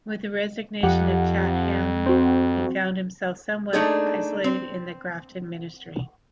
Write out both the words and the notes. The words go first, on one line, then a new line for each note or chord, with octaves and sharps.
With the resignation of Chatham, he found himself somewhat isolated in the Grafton Ministry.
F2 G4 F#5
C4 F#4
A3 A#3 D4 D#4 G#4 A4
C4